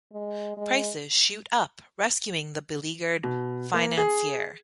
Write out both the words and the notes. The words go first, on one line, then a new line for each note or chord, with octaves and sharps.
Prices shoot up, rescuing the beleaguered financier.
G#3
G#3
B2
A#3
G#4